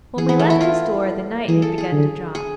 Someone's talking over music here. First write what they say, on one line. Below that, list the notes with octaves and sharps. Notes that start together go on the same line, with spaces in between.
When we left his door the night had begun to drop.
E3 G#4
B3
A3
E4
F4
E3 G#4
A4
G#4
D3
G#4